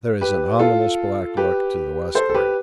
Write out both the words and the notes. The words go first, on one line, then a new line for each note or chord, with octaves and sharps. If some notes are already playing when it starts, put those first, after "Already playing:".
There is an ominous black look to the westward.
G4 B4
F4 A4
G4 B4
A4 C5
A4
G4 B4